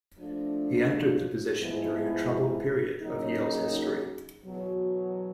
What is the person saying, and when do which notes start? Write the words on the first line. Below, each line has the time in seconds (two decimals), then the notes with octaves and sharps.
He entered the position during a troubled period of Yale's history.
0.16 F3 A3 D4
1.59 G#2 F3 G#3 B3 E4
3.01 C#3 F#3 A#3 D#4
4.44 E2 B2 F#3